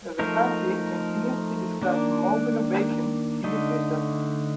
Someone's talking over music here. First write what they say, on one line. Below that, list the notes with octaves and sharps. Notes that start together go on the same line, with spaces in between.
The county continues to discuss more renovations in the future.
F3 A3 D#4 A#4
D#3 A#3 D4
D3 A3 D#4